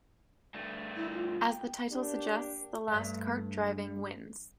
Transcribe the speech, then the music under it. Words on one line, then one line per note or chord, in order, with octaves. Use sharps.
As the title suggests, the last kart driving wins.
G2 A3
E4
F4
G5
A#3 D4 G4
G2 A3